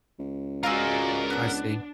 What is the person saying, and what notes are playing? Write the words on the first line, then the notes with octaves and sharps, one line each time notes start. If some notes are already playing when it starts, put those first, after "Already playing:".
I see.
C#2
G#3 F4 F#4 A#4 D5 D#5 G#5 E6
B3 D4 F#6